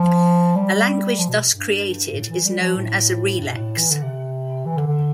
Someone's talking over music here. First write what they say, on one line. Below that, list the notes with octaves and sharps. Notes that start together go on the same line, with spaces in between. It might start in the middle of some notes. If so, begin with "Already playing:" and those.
A language thus created is known as a "relex".
Already playing: F3
G3
F3
B2
G2
A2
E3
G3
F3
A2
G2
B2
A2
E3
D3
C3
E3
D3
D3